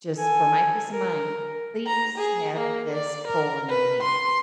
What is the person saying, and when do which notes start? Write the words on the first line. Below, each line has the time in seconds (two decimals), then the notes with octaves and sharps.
just for my peace of mind, please have this pole in your hand."
0.16 A4 G#5
0.91 A#4
1.87 A#5
2.18 G#4
2.57 A#3
2.93 D5
3.28 A#4
3.69 B4
4.03 C6